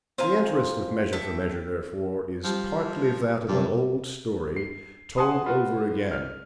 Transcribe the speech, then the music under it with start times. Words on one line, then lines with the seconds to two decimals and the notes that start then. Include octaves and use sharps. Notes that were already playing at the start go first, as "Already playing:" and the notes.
The interest of Measure for Measure, therefore, is partly that of an old story told over again.
0.18 C4 F4 G#5 A#5
1.13 A4 E5 G5
2.44 F3 G3
3.49 G2 C3 G3
4.56 C7
5.17 F#5 G#5 A5 C6 D#6
5.44 B3 F4 F#4
6.11 F6